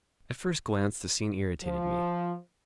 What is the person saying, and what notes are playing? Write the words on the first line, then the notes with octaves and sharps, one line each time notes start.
At first glance the scene irritated me.
F3